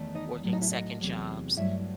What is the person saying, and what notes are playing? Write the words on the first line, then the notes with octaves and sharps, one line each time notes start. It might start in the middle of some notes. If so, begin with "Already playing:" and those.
working second jobs,
Already playing: E2 D#3 A3
D#4 D#5
A2 F#3 A3
D#4 D#5
E4 E5
D#4 D#5
E2 C3 F#3 A3
G2 F#3 A3 E4 E5